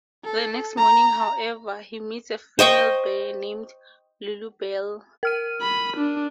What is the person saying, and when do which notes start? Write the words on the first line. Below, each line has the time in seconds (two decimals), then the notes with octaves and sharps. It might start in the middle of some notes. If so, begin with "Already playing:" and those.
The next morning however, he meets a female bear named Lulubelle.
0.24 A4
0.77 A#5
2.59 C5 D#5 G5 C#6
5.23 A#4 F6 D#7
5.62 B5
5.97 D4